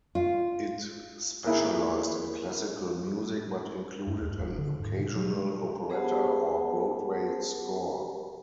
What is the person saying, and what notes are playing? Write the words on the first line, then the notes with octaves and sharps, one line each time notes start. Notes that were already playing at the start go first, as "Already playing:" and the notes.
It specialised in classical music, but included an occasional operetta or Broadway score.
F4
A#3 E4 G#4
G2
D#2
E1
D3
G#2
B2
F#3
B3 G4 G#4 C5 F#5 A5